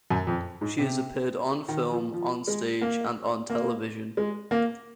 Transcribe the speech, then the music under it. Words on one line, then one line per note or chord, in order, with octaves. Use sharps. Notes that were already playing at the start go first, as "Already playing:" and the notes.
She has appeared on film, on stage and on television.
F#2
F2
G#2
C3
D#3
F3
F3
G#3
A#3
A#3
G#3
A#3